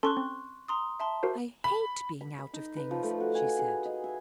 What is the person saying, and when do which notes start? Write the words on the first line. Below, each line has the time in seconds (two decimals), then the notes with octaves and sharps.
"I hate being out of things," she said.
0.03 C#4 A4 A5 C6 C#6 F#6
0.17 C4
0.68 A#5 C6 D#6
1.00 E5 A5 C6
1.23 F#4 A#4 C5
1.64 B5
2.21 B5
2.38 B5
2.54 D#4
2.76 B4
2.91 F3
3.03 A3
3.20 F#4
3.35 G#5
3.59 G#4
3.85 D#5
4.04 E5